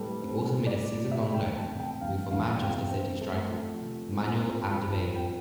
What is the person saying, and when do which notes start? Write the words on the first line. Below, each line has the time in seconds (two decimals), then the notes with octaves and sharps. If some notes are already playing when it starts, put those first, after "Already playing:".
He also made a season-long loan move for Manchester City striker, Emmanuel Adebayor.
Already playing: A2 G3 C4 A4 B4
0.22 C4
0.52 G3
0.67 D5
0.82 A2
1.12 C3 E5
1.34 G5
1.41 E2
1.56 A5
1.72 C3
1.79 G5
2.01 E2 F5
2.31 E2 F5
2.61 C3 G5
2.91 C4
3.21 A3
3.51 F3
3.80 C3
4.11 C4
4.41 C4
4.71 F3 B5
5.00 C4
5.15 G5